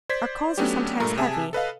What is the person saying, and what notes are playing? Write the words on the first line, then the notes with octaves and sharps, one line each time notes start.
Our calls are sometimes heavy.
C5 D5 G#6 B6
F#3 A3 B3 C#4 D4 G4
G2 A#2 A3 A#4 A#5
C3 G#4 E5 G#5 A5
A4 B4 D#5 F5